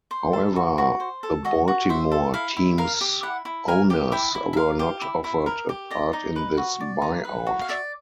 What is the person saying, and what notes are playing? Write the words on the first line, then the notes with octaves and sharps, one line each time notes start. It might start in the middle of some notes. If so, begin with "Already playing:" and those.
However, the Baltimore team's owners were not offered a part in this buyout.
C5
A4
F#4
F#4
C5
A4
F#4 D#5
F#4
C5 E5
A4
E4 F5
E4
A#4 F5
G4
E4 F#5
E4
A#4 G#5
G4
E4 G5
E4
E5
A#4 F5
G4
E4
E4
A#4
G4
D5 D#5
D#4
B4
F#4
D5
D#4
B4
F#4
F5
D5 E5